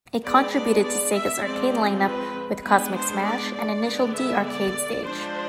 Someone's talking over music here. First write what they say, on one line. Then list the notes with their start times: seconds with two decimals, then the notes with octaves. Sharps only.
It contributed to Sega's arcade line-up with "Cosmic Smash" and "Initial D Arcade Stage".
0.23 G#3 B3 D4 D5
0.53 D5
0.83 D5
1.14 E5
1.44 F3 G#3 C4 D5
2.04 B4
2.64 G#3 B3 D4 B4
2.94 C5
3.24 D5
3.54 D5
3.84 D3 G#3 B3
4.15 E5
4.45 D5
5.05 F3 G#3 D4 C5